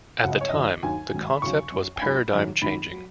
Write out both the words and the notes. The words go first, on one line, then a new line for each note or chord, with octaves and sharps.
At the time, the concept was paradigm changing.
C#2 C#3 F#3 F#5
D#5
C#5
D#2 D#3 F#3 D#5
D#2 D#3 F#3 G#5
G#2 D#3 F#3
B5
D#2 C#3 F#3 C#6
F#2 F#3
G#5
G#2 F#3 B5
F#2 D#3 F#3
G#2 D#3 F#3 B5
F#3